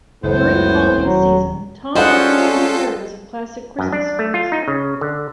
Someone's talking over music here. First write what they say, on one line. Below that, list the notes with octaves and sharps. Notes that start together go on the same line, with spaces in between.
During the holiday season, Tom often sings parodies of classic Christmas songs.
F#1 C#2 A2 B3 C5
D#1 F#3 C#4
G3 G#3 C#4 F4 A4 C5 D#5 F#5
F#2
D4
A3
F4
D#4
C#3
D3